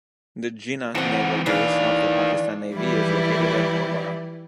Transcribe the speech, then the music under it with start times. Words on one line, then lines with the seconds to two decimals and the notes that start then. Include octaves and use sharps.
The Jinnah Naval Base of the Pakistan Navy is located at Ormara.
0.95 E3 C4 F#5 A5
1.46 D#3 E3 D4 F5
2.74 E3 F3 G3 E4 B4